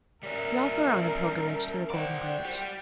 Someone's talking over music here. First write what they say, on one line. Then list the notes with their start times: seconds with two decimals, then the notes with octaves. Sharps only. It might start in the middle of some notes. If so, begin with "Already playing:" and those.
'We also are on a pilgrimage to the Golden Branch.'
0.23 G3 C#4 A#4 E5
1.90 C5 D5 F#5 G5
2.45 G3 G4